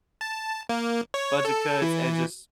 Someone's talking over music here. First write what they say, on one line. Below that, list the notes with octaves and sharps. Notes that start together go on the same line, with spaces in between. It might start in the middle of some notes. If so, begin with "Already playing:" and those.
Budget cuts, and just
A5
A#3
C#5
A4
E3